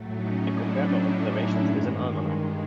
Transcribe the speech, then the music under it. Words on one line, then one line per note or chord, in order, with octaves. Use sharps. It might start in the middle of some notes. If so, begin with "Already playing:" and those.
I compared my observations with an almanac.
Already playing: A2 F#3 A3
C#4 D#4
D4 E4
G2 D#3 G#3